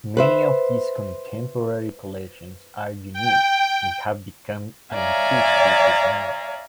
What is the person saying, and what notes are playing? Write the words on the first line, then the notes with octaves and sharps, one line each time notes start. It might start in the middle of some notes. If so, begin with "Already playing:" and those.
Many of his contemporary collections are unique and have become antique pieces now.
B4 C5 E5
G5
C#5 D5 E5 F5 G#5 A#5